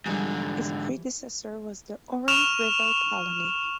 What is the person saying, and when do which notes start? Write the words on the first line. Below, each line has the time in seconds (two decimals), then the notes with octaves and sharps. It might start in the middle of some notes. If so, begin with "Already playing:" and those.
Its predecessor was the Orange River Colony.
0.06 G#2 D3 E3 F3 G3
2.28 C#6 F6 E7 F7